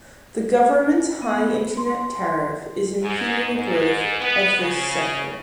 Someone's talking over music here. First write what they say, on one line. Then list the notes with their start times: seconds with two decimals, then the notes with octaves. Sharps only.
The government's high internet tariff is impeding the growth of this sector.
1.22 B3
1.77 C6
3.03 G#2
3.54 G#2
4.20 B3
4.58 C#3